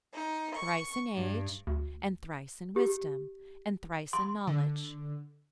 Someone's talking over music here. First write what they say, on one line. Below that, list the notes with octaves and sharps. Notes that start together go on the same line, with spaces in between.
Thrice in age, and thrice in wisdom, and thrice in knowledge.
D#4
C#6
G2
D2
G4
C6
D3